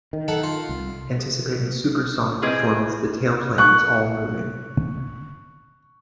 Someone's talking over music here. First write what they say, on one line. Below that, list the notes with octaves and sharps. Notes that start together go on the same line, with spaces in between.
Anticipating supersonic performance, the tailplane was all-moving.
D#3
D#4 A4 F#5
F4
C2
C4 E4 G#4 B4 D#5
C#6 F#6